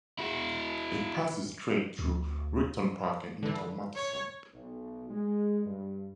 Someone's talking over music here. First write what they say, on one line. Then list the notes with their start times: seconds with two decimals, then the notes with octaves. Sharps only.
It passes straight through Richton Park and into Matteson.
0.19 E4 F#4
1.99 D2
3.43 D3 E3
3.96 C#5
4.54 B1
5.10 G#3
5.65 G2